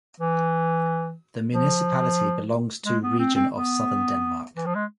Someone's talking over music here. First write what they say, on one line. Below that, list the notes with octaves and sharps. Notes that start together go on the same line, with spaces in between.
The municipality belongs to Region of Southern Denmark.
E3
F3
G#3
B3
C4
C4
B3
E3
F3
G#3